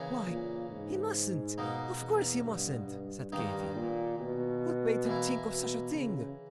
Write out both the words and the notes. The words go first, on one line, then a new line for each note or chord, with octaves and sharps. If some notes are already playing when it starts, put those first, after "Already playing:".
"Why, he mustn't--of course he mustn't!" said Katy; "what made him think of such a thing?"
Already playing: C#3 E3 A#3
A#2
G#2
B2 A#3 D#4
E2
G2
G2
G2 D#3 A#3 D#4
A#2
B2
E3 A#3 E4
B2
C#3